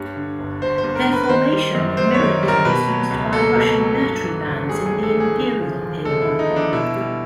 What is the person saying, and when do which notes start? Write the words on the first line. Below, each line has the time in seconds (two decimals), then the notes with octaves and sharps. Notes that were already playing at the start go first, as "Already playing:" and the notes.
Their formation mirrored those used by Russian military bands in the Imperial era.
Already playing: G2 G3 C#5
0.16 D3
0.39 G1
0.62 G1 C5
0.78 C5
0.84 G2
0.95 A#4
1.07 D3
1.13 B4
1.24 B4
1.29 D#3 C5
1.52 G3
1.75 F#2
1.97 F#2 C5
2.14 C#5
2.20 D#3
2.43 G3
2.48 A#4
2.65 B2 B4
2.88 F#3
3.11 C#2
3.33 A#3 A4
3.56 B2
3.78 F#3
4.01 G2
4.24 E3
4.46 G#1
4.68 G3 G#4
4.86 G#4
4.92 G2
5.03 A4
5.14 E3
5.20 G#4
5.37 D3
5.60 F3
5.82 D#2
6.05 G#3 A4
6.22 E4
6.27 D3
6.39 D#4
6.50 F3
6.56 D4
6.73 B2 E4
6.96 G3